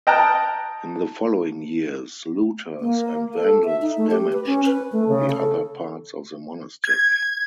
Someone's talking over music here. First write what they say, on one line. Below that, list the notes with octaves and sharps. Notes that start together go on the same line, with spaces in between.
In the following years, looters and vandals damaged the other parts of the Monastery.
D#5 G5 A5 A#5 F6 F#6
A#3
A4
E5
D#4
A3
G4
B4
C#4
B4
A3
C#3
A4
G#6